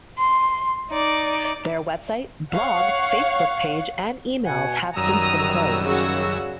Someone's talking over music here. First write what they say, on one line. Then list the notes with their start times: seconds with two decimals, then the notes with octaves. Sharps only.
Their website, blog, Facebook page, and emails have since been closed.
0.18 C6
0.91 D#4 D5
2.52 C#5 F5 F#5 C#6
4.45 B2 F#5 G#5
4.96 F#2 D#3 G3 A#5 D#6 E6
5.85 C#3 F#4